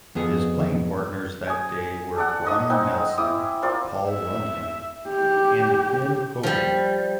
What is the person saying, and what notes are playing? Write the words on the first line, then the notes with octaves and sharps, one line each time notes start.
His playing partners that day were Byron Nelson, Paul Runyan, and Ben Hogan.
F2 B3 G#4
G#5 D#6
A4 D5 F#5
D#4 D#5 D#6
C4 D#4 F#5 G#5
E4 D6 D#6
C4 F4 A#4 D5
E5
G4
F3 G3